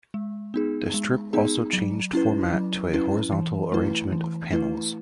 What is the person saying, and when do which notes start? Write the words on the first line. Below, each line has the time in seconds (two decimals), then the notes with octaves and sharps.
The strip also changed format to a horizontal arrangement of panels.
0.14 G#3
0.54 B3 D#4 G#4
0.94 G#3
1.33 B3 D#4 G#4
1.73 F#3
2.13 C#4 E4 B4
2.53 F#3
2.94 C#4 E4 B4
3.32 E3
3.72 A3 E4 B4
4.12 E3
4.53 A3 E4 B4